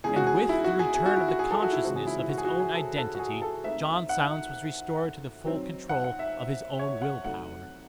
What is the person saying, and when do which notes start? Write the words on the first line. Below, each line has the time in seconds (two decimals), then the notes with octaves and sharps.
And with the return of the consciousness of his own identity John Silence was restored to the full control of his own will-power.
0.04 E2 D#3 G#3 C#4 G#4
0.16 F#4
0.27 G#4
0.49 E4
0.64 F#4
0.79 G#4
0.94 G#4
1.06 F#4
1.17 E4
1.28 F#4
1.39 G#4
1.51 A4
1.62 F#4
1.73 E4
1.84 C#3 E3 G#3 C4 F#4
1.96 G#4
2.07 E4
2.18 E4
2.29 F#4
2.38 G#4
2.45 F#4
2.59 G#4
2.74 A4
2.97 A4
3.15 F#4
3.19 G#4
3.42 A4
3.64 D#3 A3 C4 D#4 E5
4.09 F#5
5.44 D#3 F#3 C4
5.89 F#5
6.04 F#5
6.19 E5
6.79 C#5
7.02 F#5
7.24 C3 F#3 A3 D#4 F#5